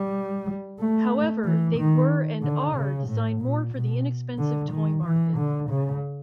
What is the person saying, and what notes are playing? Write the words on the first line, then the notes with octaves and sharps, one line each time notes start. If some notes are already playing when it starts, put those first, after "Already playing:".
However, they were and are designed more for the inexpensive toy market.
Already playing: G3
A3
E3
D#3
D3
C#3
A2
A#2
B2
D3
D#3
E3
D3
C#3